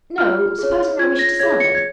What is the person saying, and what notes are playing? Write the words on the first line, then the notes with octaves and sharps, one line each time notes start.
"No; supposing I wished to sell them."
F4 F6
G#4 C#5
F4 G#6
A#6
G#4 C#5 G#6
C#7
G#6